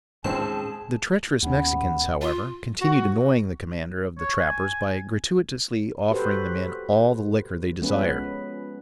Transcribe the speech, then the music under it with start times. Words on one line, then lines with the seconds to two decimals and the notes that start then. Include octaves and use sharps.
The treacherous Mexicans, however, continued annoying the commander of the trappers by gratuitously offering the men all the liquor they desired.
0.24 D#2 A2 G#3 C4 C#4 F4 G#4 A5
1.43 D#2 B3 C#4
2.21 F4
2.81 F#4
4.19 C#5
4.39 G#5
6.11 F#4 G4 A4 B4 C5
7.81 F3 G#3 B3 C#4 B4